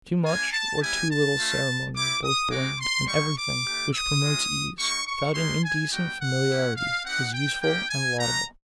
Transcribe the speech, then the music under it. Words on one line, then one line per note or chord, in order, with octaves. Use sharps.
Too much or too little ceremony are both blamed, and everything, which promotes ease, without an indecent familiarity, is useful and laudable.
A#3 D4 F4 G#5
A5
G3 B3 E4 G4 G#5
A5
A3 C#4 F4
C4 E4 G4 D6
D#6
G#3 C4 D#4 F#4 D6
C6
G3 A#3 D#4 C#6
D6
A3 D4 G4
D#6
G#3 C#4 F4
A#3 D#4 G4 C#6
C#6
G#3 C#4 E4 G4 C6
G#5
G3 B3 D#4 F#4 G5
F#5
A#3 C#4 E4 G4
F5
C4 D#4 G4 F#5
G5
A#3 D#4 G4 G5
G#5
A3 D4 F#4 A#5